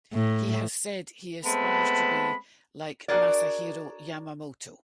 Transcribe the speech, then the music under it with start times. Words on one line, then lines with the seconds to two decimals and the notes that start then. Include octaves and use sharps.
He has said he aspires to be like Masahiro Yamamoto.
0.13 A2
1.44 G#3 A3 B3 C4 A5 B5
3.08 D4 F#4 G#4 A#4 C#5 D5